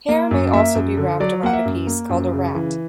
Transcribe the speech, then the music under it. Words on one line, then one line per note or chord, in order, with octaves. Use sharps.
Hair may also be wrapped around a piece called a "rat".
A#3
F#2
A#3 E5
F#2
D3
F#3 D5
A#3 F#5
E5
F#2
A#3
F#2
C#3
E3